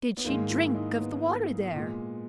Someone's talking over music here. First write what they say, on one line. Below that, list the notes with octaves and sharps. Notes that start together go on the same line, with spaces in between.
"Did she drink of the water there?"
B3
G#2 D#3 G#3 A#3
E4
D#4
B3
A#2 G#3